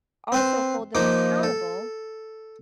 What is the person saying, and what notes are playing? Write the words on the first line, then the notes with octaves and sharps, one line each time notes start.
also hold them accountable
C4 B4 C5
F3 A#3 D#4 D6
A4